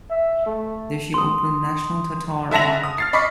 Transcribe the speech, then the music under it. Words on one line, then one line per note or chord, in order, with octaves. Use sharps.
There she opened national Tatar art.
E5
A3
C6 D#6
D3 E5 A5 A#6 F7
D#6
F6 A6 C7
D#5 B5 C#6 D6 B6 C7